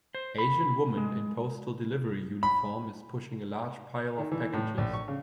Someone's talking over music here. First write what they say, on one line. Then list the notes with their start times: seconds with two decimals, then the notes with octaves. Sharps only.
Asian woman in postal delivery uniform is pushing a large pile of packages.
0.15 C5
0.38 B5
0.97 G#3
2.43 B5
4.18 D#3
4.31 E3
4.53 A2
4.78 A#1
4.93 C#6
5.08 C#3